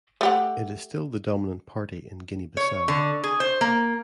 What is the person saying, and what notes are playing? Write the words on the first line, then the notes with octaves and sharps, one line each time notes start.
It is still the dominant party in Guinea-Bissau.
A3 G4 F#5
C#5
D3
G#4
C5
A#3